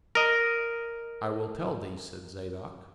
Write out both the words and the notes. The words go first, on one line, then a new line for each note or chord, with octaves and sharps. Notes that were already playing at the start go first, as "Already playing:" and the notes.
"I will tell thee," said Zadok.
A#4 D#5